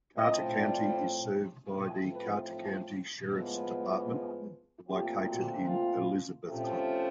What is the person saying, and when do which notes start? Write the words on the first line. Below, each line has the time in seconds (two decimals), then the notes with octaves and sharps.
Carter County is served by the Carter County Sheriff's Department, located in Elizabethton.
0.16 A2 F3 A3 C4 D#5
0.56 D5
1.73 A2 F3 A3 C4 A#4
2.12 B4
3.31 A2 F3 G#3 B3
4.88 A#2 F3 A3 C4 G4
5.28 F#4
5.67 F4
6.46 C3 F3 A3 C#4